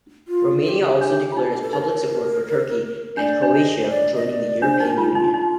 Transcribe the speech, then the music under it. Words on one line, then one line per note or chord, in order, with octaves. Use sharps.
Romania also declared its public support for Turkey, and Croatia joining the European Union.
F4
A4
G4
D4
F4
D#4
G4
A4
D#4 A#4
D4 D5
D4
D#5
C5
D5
D#5
D#5
D5
D4 C5
D#4 A#4
D#4 F4
D#4 F4
D#4 F4